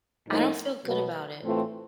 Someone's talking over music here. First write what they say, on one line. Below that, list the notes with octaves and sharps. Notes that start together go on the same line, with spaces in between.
I don't feel good about it.
A2 F3 A#3 D#4
B2 F#3 B3
A2 E3 A3 C4 F4